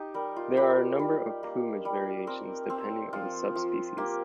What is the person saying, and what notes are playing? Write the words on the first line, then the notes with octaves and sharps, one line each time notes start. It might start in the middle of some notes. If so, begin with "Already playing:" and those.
There are a number of plumage variations depending on the sub-species.
Already playing: D#4 G4
G3 A#4
F4
G3 G4
G3
A#3
G3
C4 A#4
C4
F3 F4
F3
A#3 G4